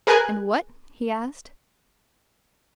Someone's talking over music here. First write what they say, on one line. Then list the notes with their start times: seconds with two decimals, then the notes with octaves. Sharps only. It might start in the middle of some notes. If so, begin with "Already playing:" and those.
"And what?" he asked.
0.07 G#4 A#4 B4 G#5 F#6 G#6